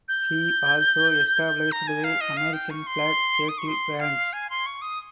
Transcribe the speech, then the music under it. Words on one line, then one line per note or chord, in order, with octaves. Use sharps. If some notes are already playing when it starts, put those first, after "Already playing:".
He also established the American Flag cattle ranch.
G6
A#5
G#5
F5
D#5
F5
G5
C#6
C6
D#6
C#6
C6
F5
G#5
C6
C#6
D#6